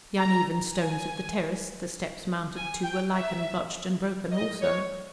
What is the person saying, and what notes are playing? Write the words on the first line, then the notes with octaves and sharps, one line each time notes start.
The uneven stones of the terrace the steps mounted to were lichen-blotched and broken also.
A#5
G#5
G#5
G5
E5
D#5
C#5